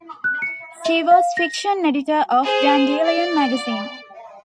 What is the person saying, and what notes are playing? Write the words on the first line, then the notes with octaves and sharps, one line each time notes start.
She was fiction editor of "Dandelion" magazine.
F#6
C#7
E5
F5
A#6
G#4 C5
D5